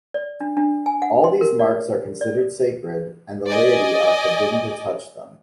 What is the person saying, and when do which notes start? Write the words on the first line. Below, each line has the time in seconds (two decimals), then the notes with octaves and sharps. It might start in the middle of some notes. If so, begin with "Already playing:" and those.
All these marks are considered sacred, and the laity are forbidden to touch them.
0.14 D5
0.41 D4
0.57 D4
0.86 G#5
1.02 F#5
1.24 C6
1.41 A#4
1.59 D5
2.21 D5
3.46 D5 D#5 G#5